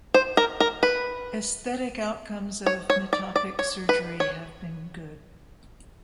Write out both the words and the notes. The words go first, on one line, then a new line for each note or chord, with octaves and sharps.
Aesthetic outcomes of metopic surgery have been good.
C5
A#4
A#4
B4
C#5
C#5
D5
D5
C#5
B4
C#5